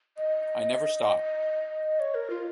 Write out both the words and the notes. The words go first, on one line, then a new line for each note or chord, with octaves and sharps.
I never stop.
D#5
C#5
A#4
F4